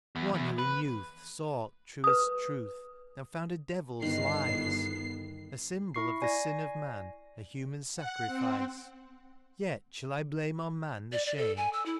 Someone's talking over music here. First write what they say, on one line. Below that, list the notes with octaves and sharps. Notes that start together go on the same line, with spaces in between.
One who in youth sought truest truth, and found a devil's lies; A symbol of the sin of man, a human sacrifice: Yet shall I blame on man the shame?
E2
E2
B4
B4 D#6
G1 D#3 B3 C7
E4 C#6 C7
D5 G#5 A#6
F#5
C4
D5
D5
A4
G#5
E6
E4